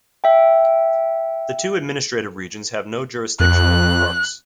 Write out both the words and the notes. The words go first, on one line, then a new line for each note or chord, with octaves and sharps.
The two administrative regions have no jurisdiction over the parks.
E5 G5
F2 F#6